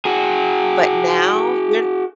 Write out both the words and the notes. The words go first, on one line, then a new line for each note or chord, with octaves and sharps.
But now you're
F#4 G#4